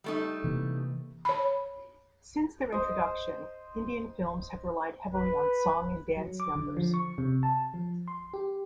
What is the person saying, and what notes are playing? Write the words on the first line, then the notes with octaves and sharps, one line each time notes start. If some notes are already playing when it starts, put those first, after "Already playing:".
Since their introduction, Indian films have relied heavily on song and dance numbers.
G3 A3 D#4
C3 E3 A#3
C#5 B5
C5 D#5
B4
F#3
D6
D3
F3
C#6
C3
A5
F3
C6
G4